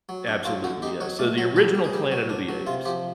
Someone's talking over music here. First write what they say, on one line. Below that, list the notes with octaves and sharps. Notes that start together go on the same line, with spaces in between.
Absolutely, yeah. So, the original Planet of the Apes
F#3
D4
F#3 F4
D3 F#4
D#4 G4
F#3 C#5
A3 D5
F#3 C#5
G3 A4
G3
G#4
G3
F#3
D4
F#3
C3 F4
F3 G4